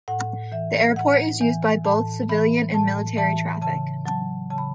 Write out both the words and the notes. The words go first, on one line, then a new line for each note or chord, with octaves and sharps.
The airport is used by both civilian and military traffic.
A2 F#5
E3 E5
A2 F#5
E3 G#5
A2 A5
E3 B5
A2 A5
E3 A5
C#3 A5
F#3 A5
C#3 A5
B5